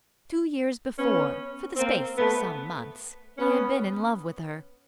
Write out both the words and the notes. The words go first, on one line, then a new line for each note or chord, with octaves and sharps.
Two years before, for the space of some months, he had been in love with her.
B3 C#4
A#3 C4
A3 B3
B3 C#4